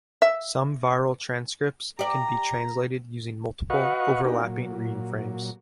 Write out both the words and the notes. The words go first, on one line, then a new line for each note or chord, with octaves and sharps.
Some viral transcripts can be translated using multiple, overlapping reading frames.
E5
G4 D5 A#5
F#4 B4 D#5 F5 F#5 C#6
B3 D4 D#4 F#4 G4 A#4
A#2 F#3